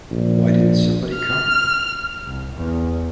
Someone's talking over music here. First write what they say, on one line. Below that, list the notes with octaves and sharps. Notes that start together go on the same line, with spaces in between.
Why didn’t somebody come?
A#1
F6
C2
E2